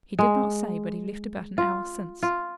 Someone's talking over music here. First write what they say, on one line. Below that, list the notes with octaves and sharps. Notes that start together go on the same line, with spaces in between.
"He did not say, but he left about an hour since."
G#3
F4
F4